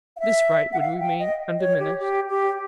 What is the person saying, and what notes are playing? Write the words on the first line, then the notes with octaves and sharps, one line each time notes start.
This right would remain undiminished.
F5
E5
F#5
F5
G5
D#5
C#5
G4
G4
G4